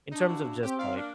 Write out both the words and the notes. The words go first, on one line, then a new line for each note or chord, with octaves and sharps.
in terms of just like
D4 D#4
C#3 E4 F#4
C4 G4
D#3 D5 F5
A#3 D4